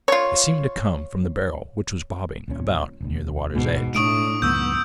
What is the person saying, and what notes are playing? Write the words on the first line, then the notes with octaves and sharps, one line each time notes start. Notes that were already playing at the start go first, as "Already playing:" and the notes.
It seemed to come from the barrel which was bobbing about near the water's edge.
F4 C#5
D1 A#2 C#4
E1 D2
G#2 B2
A2 A3 D4 C#6 D#6 D7
C#2 F#2 D#3 B3 C#6 E6 G6